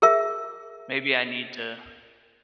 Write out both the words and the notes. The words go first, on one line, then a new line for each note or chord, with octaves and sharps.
Maybe I need to
G#4 A#4 E5